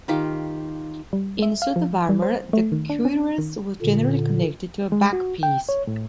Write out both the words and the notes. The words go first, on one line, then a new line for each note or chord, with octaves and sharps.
In a suit of armour, the cuirass was generally connected to a back piece.
D#3 F4 G4
G3
E5
F5
F3
G3
C5
A3
D#3
D4
C#4
D#3
A#2 D3
G#3
F#4
G5
C#5
A2